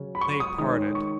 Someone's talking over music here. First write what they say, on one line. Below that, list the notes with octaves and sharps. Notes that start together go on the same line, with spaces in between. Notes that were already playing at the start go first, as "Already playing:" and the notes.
They parted.
Already playing: C#3 F#3 C#4
B5
C#6
D#6
D#3 G#3 C#4 D#6
C#6